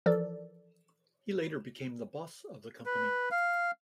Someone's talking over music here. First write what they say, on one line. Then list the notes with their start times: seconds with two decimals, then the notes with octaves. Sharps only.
He later became the boss of the company.
0.06 E3 F3 A4 A#4 D5
2.86 B4
3.31 F5